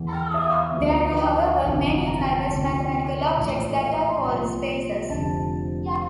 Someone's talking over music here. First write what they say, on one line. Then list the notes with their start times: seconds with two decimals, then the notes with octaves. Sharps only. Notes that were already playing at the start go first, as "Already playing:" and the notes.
There are however, many diverse mathematical objects that are called spaces.
Already playing: E2 E3
0.13 G5
0.34 E5
0.46 F5
0.58 E5
0.77 D2 D3 F3
1.21 G5
1.64 G1 F2 C3 E3
2.07 A#5
2.16 A5
2.25 G5
2.34 A5
2.50 D2 C3 F3
3.37 A#1 A2 E3
3.80 F5
3.94 E5
4.09 C6
4.23 C2 A#2 F3 A#5
5.09 F1 F2 D3 F3 A5